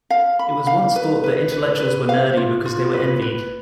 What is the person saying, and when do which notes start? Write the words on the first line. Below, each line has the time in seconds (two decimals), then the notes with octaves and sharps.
It was once thought that intellectuals were nerdy because they were envied.
0.10 F5
0.39 B5
0.67 F5
0.96 B4
1.24 B4
1.52 B4
1.80 B4
2.09 F5
2.37 F4
2.66 F4
2.94 B4
3.22 B4